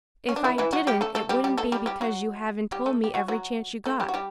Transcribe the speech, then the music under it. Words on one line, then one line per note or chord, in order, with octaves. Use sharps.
If I didn't it wouldn't be because you haven't told me every chance you got.
C#4
D4
E3 E4
E3 E4
F#3 F#4
G3 G4
A3 A4
A3 A4
G3 G4
G3 G4
A3 A4
G3 G4
G3 G4
F#3 F#4
G3 G4
A3 A4
G4
F#3 F#4
F#3 F#4
A3 A4
G3 G4
F#4
G3 G4